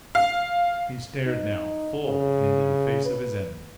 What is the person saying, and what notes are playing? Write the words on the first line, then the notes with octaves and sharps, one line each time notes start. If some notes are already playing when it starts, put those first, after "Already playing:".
He stared now full into the face of his enemy!
F5
D#4
C#3
B4